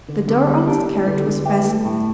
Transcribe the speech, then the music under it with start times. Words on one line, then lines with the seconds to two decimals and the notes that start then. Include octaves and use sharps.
The door of this carriage was fastened.
0.09 D3 D4
0.28 D3 B3
0.47 G3 D4
0.58 E4
0.68 D4 G4
0.87 D4
1.07 D3 B4
1.16 A4
1.26 D3 B4
1.46 G4 E5
1.65 A3
1.85 A2